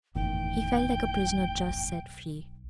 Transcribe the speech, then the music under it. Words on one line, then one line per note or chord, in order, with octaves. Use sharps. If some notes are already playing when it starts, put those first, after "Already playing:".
He felt like a prisoner just set free.
F#1 E2 A2 D#3 G5
B1